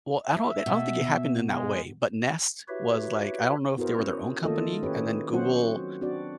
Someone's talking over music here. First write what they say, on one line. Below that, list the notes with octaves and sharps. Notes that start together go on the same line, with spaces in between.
well, I don't I don't think it happened in that way, but Nest was like, I don't know if they were their own company and then Google
E5
B2
G#3
E4 F#4 G4 B4 C#5 E5
B3 E4 F#4 G#4 A#4 C5
C#4
D#3 A3 A#3 F4 A4 D#5
C#4 G4 G#4 B4 C#5
F#3 C4 C#4 F#4 C5 F#5
C4 D4 F#4 D5